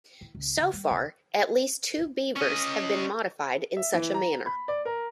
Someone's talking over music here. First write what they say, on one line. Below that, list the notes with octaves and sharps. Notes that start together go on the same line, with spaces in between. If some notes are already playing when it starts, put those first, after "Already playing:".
So far, at least two Beavers have been modified in such a manner.
E4
C#2
C#3
G3
C2
C#4 D#5
E5
E3
A#5
B5
D5
A#4